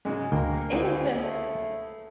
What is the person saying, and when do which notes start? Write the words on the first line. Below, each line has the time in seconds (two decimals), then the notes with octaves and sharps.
It has been
0.05 G#2 C#3 F#3 G#3
0.32 D2 A#3 A#4 G5
0.72 C#2 G#2
1.23 A3